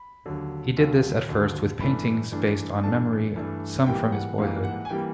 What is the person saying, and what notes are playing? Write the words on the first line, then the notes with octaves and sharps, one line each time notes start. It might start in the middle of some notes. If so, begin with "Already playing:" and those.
He did this at first with paintings based on memory, some from his boyhood.
Already playing: B5
D#2 D3 F#3
D#2 D3 F#3
D#2 D3 F#3
G2 E3 A3 D4 B5
G2 E3 A3 D4
G2 E3 A3 D4 A5
G2 E3 A3 D4
G#2 E3 G3 A#3 G5
F#5
G#2 E3 G3 A#3 F5
F#5
G#5
E3 G3 A#3 G5